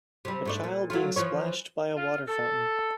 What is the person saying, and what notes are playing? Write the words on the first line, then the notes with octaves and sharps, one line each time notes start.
A child being splashed by a water fountain.
C3 G3
G#2 A3 D4
A#2
F#3 A3 F4
E3 F3 C#5
F4
A4